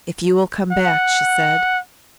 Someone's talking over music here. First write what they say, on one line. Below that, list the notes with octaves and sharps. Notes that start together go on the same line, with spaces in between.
"If you will come back," she said.
F#5